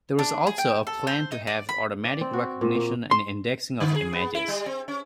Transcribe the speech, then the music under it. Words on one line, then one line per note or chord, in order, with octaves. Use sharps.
There was also a plan to have automatic recognition and indexing of images.
D4
G#4
G5
A4
C5
D#4
D5
B5
D5
C4
F#4
A#2
A#3
C6
D3
G#4
B3
E4
G3
C4
C#4